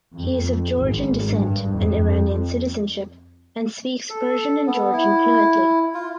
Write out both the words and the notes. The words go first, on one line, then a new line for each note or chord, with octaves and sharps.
He is of Georgian descent and Iranian citizenship and speaks Persian and Georgian fluently.
F2
G#1
G2
F2
A4
B3
E4
F4